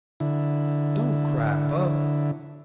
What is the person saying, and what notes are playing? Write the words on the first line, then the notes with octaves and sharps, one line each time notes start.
Don't cry, bub.
D3 E4